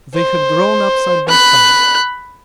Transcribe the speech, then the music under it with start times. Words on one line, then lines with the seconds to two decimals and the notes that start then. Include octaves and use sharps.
They had grown up side by side.
0.14 C5
1.28 B5 F#6